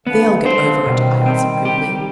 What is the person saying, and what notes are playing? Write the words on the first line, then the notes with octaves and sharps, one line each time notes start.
'They'll get over it,' I answered, grimly.
D3 F3 B3
D#3
D3 F3
C5
D3 F3
B2 D#3 G3
C4
G4